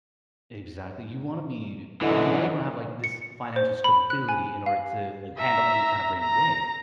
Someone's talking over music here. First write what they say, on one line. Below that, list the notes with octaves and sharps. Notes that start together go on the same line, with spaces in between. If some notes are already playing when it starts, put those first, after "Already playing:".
Exactly, you wanna be oh, you always wanna have, like, this financial stability in order to, like, handle any kind of rainy day.
F#2 D3 E3 E4 D#5
C#7
C5
B5
F#6
G#5
F5
E5 A#5
A#5